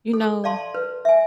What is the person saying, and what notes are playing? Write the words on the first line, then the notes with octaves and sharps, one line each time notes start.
You know
A4
D5 F5 A5 C6
B4
E5 G#5